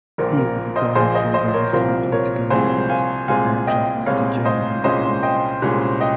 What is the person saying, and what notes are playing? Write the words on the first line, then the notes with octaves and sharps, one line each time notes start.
He was exiled from Venice for political reasons, and traveled to Germany and Lombardy.
A#1 A#2 F3 A#4
A#4
C5 D#5
A#1 A#2 F3 G#4 C5
C5 D#5
C5 D#5
A#4 C#5
C2 A#2 F3 C4 A#4
A#4 C#5
C2 A#2 F3 C4 G#4 C5
F5 G#5
C2 A#2 G#3 C4 F4 F5 G#5
D#5 G5
C2 A#2 G#3 C4 F4 C#5 F5
C5 D#5
C2 A#2 G#3 C#4 C5 D#5
D#5 G5
C2 A#2 G#3 C#4
D#5 G5